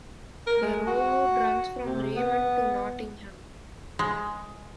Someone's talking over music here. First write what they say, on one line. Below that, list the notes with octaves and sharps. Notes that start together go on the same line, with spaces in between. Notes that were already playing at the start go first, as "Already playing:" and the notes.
The road runs from Raymond to Nottingham.
A#4
G#3
F#4
C3
B3
G#3